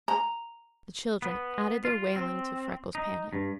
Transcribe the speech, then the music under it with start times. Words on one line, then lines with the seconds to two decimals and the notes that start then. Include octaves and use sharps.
The children added their wailing to Freckles' panic.
0.08 A#5
1.22 B3
1.85 F4
2.16 C4
2.95 D#4
3.33 G2